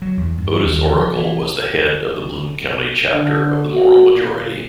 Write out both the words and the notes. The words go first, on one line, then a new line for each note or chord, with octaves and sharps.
Otis Oracle was the head of the Bloom County chapter of the Moral Majority.
F#3
E2
G2
D#2
F3
E3
D3
F#4
A#2